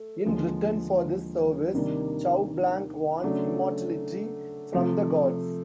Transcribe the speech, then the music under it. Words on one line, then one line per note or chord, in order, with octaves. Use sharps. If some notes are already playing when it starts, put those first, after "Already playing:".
In return for this service Choublanc wants immortality from the gods.
Already playing: A3
D#2 D3 F3 G#3
C3 D#3 G3 A#3 D4
C#3 F#3 A3 D4
C3 F3 A3